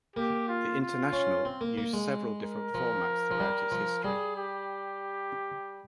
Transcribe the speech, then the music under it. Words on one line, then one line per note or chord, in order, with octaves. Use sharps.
The International used several different formats throughout its history.
A#3 G4
F4
F4
C#4
C4
A#3
A#3
G#3
A#4
F3
F3
G3
F3
G3 G#4
G4